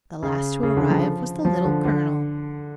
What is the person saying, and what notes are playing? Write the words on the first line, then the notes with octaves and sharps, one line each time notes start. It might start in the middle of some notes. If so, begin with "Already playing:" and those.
The last to arrive was the Little Colonel.
C#3
C#3
D3
F3
F3
D3
D3